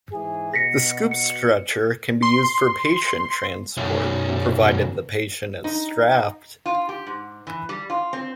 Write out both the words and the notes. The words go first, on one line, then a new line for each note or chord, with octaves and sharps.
The scoop stretcher can be used for patient transport, provided the patient is strapped.
G#2 E3 G#4
B2 A#6 B6 C#7
C#7
C6
B1 F#2
D#4
F4
G4
G#2
E3
G3
F4
C4